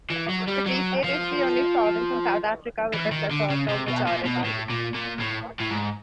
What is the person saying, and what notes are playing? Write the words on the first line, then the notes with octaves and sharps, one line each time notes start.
The Free State is the only province in South Africa with a Sesotho majority.
E3
F#3
G3
F#3
F3
E3
D#3
D3
C#3
C3
B2
A#2
B2
A2
A#2
A#2
A2
A2
G#2